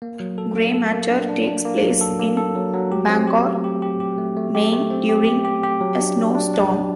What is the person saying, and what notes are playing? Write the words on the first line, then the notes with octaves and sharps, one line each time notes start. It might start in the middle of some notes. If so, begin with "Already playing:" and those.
"Gray Matter" takes place in Bangor, Maine during a snow storm.
A#3
F#3
A4
A#3
A4
A#3
D4
D4
D4
A#3
F#3
A4
A#3
A4
F#3
F#3
G4
C4
G4
A3
G4
G4
G4
A3
A3
G4
A3
C4
G4
G4
G4
G4
F#3
D4
F#3
D4
D4
F#3